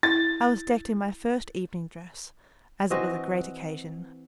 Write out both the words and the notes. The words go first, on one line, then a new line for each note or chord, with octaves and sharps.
I was decked in my first evening dress, as it was a great occasion.
E4 A6
E3 C4 F#4 D#5